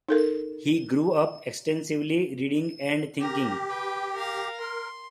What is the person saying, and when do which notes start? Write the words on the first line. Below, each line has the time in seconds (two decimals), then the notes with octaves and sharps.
He grew up extensively reading and thinking.
0.09 D#4 A4 A#4
3.20 G4 A#4
3.69 B4 G5
4.13 A#4 F5
4.60 A#4 C6